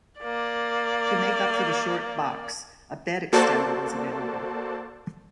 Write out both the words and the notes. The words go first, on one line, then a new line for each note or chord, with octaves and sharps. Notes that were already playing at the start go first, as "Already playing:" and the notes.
To make up for the short box, a bed extender was available.
A#3 D5
A#3 F#4 A4 C5 D5 A5